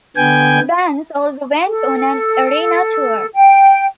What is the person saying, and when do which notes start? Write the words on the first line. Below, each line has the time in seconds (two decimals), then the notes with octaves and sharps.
The bands also went on an arena tour.
0.17 D3 B3 G5 G#5
1.67 A4
3.35 G5